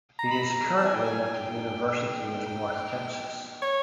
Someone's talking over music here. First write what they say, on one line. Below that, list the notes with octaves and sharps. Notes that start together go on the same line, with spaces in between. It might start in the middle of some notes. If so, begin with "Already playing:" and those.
He is currently at the University of North Texas.
A#5
B5
A#5
A5
G#5
G5
G#5
G5
G5
C#5